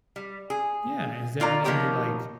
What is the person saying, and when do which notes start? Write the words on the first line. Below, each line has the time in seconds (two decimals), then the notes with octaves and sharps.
Yeah, is there any, like,
0.16 G3
0.50 G#4
1.40 B2 F4 D5 A#5
1.64 D#3 F3 A#3 B3 G4 C#5